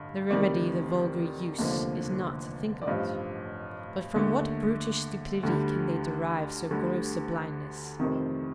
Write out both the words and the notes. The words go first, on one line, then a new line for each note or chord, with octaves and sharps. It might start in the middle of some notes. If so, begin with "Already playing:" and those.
The remedy the vulgar use is not to think on't; but from what brutish stupidity can they derive so gross a blindness?
Already playing: A1 G2 D3
D2 C3 D#3 G3 D5
F1 D#2 D3 F3
D5
A1 G2 F3 D#5
D#2 D3 A3
D2 D3 G3
D2 D3 G3
F1 F2 C3 D#3